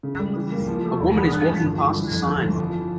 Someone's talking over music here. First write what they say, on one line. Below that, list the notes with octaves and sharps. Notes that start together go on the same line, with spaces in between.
A woman is walking past a sign.
C#3
G3
E3
A#3
F3
A3
E1
E2
G2
F3
G1
E3
G3
F2
G1
E3
F3